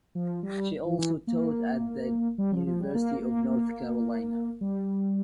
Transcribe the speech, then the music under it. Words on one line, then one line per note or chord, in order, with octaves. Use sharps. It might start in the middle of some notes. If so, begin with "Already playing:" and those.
She also taught at the University of North Carolina.
F3
G3
E3
E3
A#3
G3
F3
F3
G3
A#3
A#3
A#3
G3